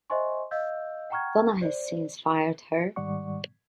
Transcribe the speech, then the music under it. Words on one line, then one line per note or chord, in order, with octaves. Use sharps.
Donna has since fired her.
C5 D#5 E5 G#5 C6 C#6
D#5 F5 E6 G6
F#5 G5 A#5 C#6 F6 G#6
C5 D5
G#2 D#3 G3 D5 F#5 C#6